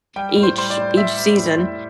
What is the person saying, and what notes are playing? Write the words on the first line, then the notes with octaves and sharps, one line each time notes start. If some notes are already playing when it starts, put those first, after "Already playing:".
each each season,
G3 G5
A2
C5
G3 C5
D5
A2
G3 E5
G3
A2
A2